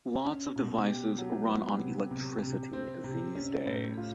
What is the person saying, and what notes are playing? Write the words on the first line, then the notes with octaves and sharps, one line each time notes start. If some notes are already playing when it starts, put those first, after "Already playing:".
Lots of devices run on electricity these days.
C#4
B2
G4
F#3
B3
C3
C3
C3
C4
C3
C#4
A2
F4